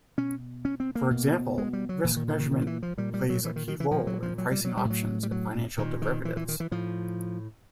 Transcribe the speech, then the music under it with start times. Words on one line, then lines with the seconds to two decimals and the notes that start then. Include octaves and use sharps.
For example, risk measurement plays a key role in pricing options and financial derivatives.
0.18 B2 C#4
0.65 C#4
0.80 C4
0.95 A#3
1.11 B2
1.58 G#3
1.73 G3
1.89 F#3
2.04 A#2 E3
2.16 D#3
2.28 D3
2.40 D#3
2.51 D#3
2.62 F3
2.67 E3
2.83 F3
2.98 A#2 G3
3.14 G3
3.30 F#3
3.45 E3
3.56 D#3
3.68 D#3
3.80 E3
3.91 A#2 F3
4.07 F#3
4.22 F3
4.38 F#3
4.51 G3
4.65 F#3
4.77 G3
4.85 A2
4.90 F#3
5.23 G3
5.32 F#3
5.78 A#2 D#3
6.02 D#3
6.25 E3
6.37 E3
6.48 D#3
6.60 E3
6.71 A2 F3